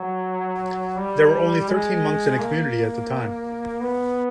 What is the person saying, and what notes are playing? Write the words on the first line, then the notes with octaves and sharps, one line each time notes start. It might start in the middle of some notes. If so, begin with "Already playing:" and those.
There were only thirteen monks in the community at the time.
Already playing: F#3
G3
G#3
A#3
B3